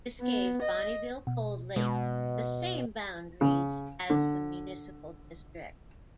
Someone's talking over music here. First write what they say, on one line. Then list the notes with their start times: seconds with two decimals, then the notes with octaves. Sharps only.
This gave Bonnyville-Cold Lake the same boundaries as the Municipal District.
0.21 B3
0.62 D#5
1.27 B2
1.76 B2 G#3
3.41 C#3
4.10 D3